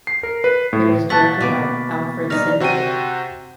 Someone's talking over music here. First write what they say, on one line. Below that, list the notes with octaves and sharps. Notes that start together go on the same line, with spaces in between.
It was directed by Alfred Santell.
C7
A#4
B4
A2
A#2 E5 F#5 A5 C#6 A6 B6
B2 A#3 B4 D6
G3 D#4 F6 A#6 F7
C3 F#4 C5 G5 D#7